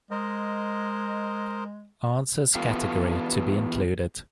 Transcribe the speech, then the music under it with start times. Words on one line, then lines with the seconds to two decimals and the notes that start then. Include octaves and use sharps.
Answers category to be included.
0.11 G#3 A#4 C5 D#5
2.55 E3 B3 F4 G4 A4 F5